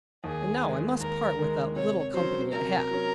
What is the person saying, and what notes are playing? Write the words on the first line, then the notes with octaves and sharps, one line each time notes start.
And now I must part with that little company I had.
D#2 G#4
D#3 G#3
D#2 A#4
D#3 G#3
C3 C#5
F#3 C#4 C5
C3 A#4
F#3 C#4